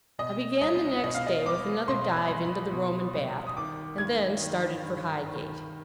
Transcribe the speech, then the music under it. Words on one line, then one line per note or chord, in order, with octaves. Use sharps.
I began the next day with another dive into the Roman bath, and then started for Highgate.
B2 D#5
C2 D#5
B2 D#5
F5
D#5
C2 D6
B2 C6
B5
C2
B5
B2
C2
D#6
D#3 D6
G2 G#6
D#3
G2
D#3